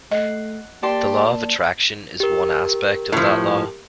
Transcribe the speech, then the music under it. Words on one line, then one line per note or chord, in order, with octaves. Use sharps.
The Law of Attraction is one aspect of that Law.
A3 D#5 F#5 C7
A#3 G4 D5 A5 C6
G4 A#4
A2 F3